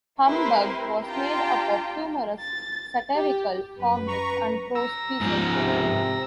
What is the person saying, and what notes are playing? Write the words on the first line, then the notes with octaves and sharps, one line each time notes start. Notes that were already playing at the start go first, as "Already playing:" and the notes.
"Humbug" was made up of humorous, satirical comics and prose pieces.
C4 E4 G4 A#4 B4 C6
D4 F4 G4 G5 A5 A#5
A6
G4
F#2 B4
A#5 C#6
A#5 E6
G#2 F3
C3